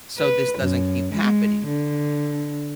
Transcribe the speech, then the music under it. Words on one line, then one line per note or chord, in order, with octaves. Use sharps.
so this doesn't keep happening,
B4
F#2
G#3
D3